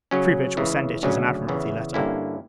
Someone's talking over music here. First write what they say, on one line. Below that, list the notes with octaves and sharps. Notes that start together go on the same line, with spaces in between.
Troubridge will send it, as an Admiralty letter.
C#3 F#3 C#4
C#2 C#3 E3
D2 C#3 F#3 C#4
E2 C#3 E3
G2 D3 A#3 C#4 E4